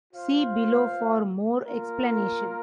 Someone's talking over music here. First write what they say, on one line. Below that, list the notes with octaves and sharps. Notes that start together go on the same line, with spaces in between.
See below for more explanation.
F4 C5 F5
A#3 F4 A#4